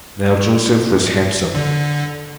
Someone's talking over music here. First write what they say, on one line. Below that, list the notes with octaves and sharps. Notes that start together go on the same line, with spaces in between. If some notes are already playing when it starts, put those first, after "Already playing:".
Now Joseph was handsome.
D3